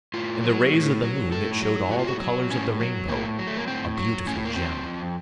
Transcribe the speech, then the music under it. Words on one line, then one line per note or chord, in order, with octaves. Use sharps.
In the rays of the moon it showed all the colors of the rainbow--a beautiful gem.
A2 F4
F#3
A2
F#3
A2 A4
F#3
A2 F#4
F4
F#4
F#3
A2 C#4
F#3
A2 A#3
F#3
A3
A#3
A2 C4
F#3
A2 C#4
A#3
F#3 C4
F2